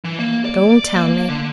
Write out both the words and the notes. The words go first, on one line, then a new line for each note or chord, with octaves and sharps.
Don't tell me.
E3
A#3
D5
A#3
D3